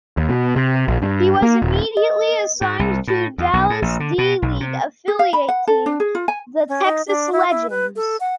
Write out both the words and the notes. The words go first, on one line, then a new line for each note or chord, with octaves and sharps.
He was immediately assigned to Dallas' D-League affiliate team, the Texas Legends.
D#2
B2
C3
A#1
G2
A#3
D#1
D#5
G#2
C2
A2
E2
B1
A2
A#1
D3
B2
B1
C3
G#4
F5
B5
F#5
A4
D4
G#4
F4
G#5
C#4
D#4
D4
E4
E4
B4
A4
F#5